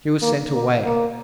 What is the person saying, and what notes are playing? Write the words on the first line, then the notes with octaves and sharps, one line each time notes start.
She was sent away.
A#3
A#3
A#3